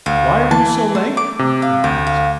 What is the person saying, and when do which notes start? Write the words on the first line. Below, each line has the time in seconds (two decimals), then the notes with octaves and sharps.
"Why are you so late?" he asked.
0.06 D2 F5
0.51 E3 A5
0.95 A3 C6
1.17 D6
1.39 C3
1.62 F5
1.84 D2 G5
2.07 F5